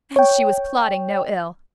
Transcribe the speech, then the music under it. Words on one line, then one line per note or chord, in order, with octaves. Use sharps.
And she was plotting no ill.
C#5 G5